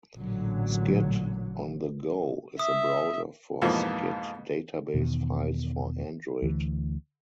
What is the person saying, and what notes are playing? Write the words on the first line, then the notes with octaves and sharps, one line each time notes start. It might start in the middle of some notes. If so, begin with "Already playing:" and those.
Scid on the go is a browser for Scid database files for Android.
A1 A#2 D3 F#3
E5 D#6
F2 G#2 B2 E3 F3 A#3
E2 B2 D#3
D2 E3